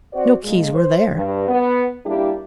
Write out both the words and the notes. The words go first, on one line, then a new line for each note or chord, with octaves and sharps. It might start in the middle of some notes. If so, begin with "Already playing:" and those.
No keys were there.
C4 F#4 C5 D5
A#2 G#3
C5
G2
B3
G3 A#3 D4 E4 G4